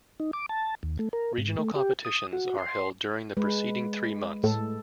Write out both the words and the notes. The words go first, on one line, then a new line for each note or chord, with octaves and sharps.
Regional competitions are held during the preceding three months.
D#4
D6
A5
D#2
A3
A#4
G#2
A3
G4
D#6
F#4
C6
G#3 B4
A2 A4